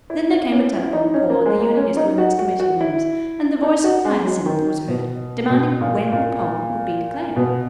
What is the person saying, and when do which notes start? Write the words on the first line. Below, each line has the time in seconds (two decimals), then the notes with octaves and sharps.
Then there came a telephone call at the Unionist Women's Committee-rooms, and the voice of Hyacinth was heard demanding when the poll would be declared.
0.10 E4
0.31 E4
0.52 C#4
0.73 E4
0.93 D#4
1.14 C#4
1.30 A#3
1.46 G#3
1.61 A#3
1.77 C#4
1.97 D#4
2.18 F#4
2.39 F#4
2.60 F#4
2.81 E4
3.63 D#4
3.84 F#4
4.05 G#3
4.25 F#3
4.46 D#3
4.88 B2
5.50 B2
5.81 A#2
6.12 A#2
7.36 B2